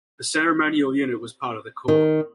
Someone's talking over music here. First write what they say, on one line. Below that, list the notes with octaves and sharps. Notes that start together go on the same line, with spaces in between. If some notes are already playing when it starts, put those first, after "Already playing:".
The ceremonial unit was part of the corps.
D#3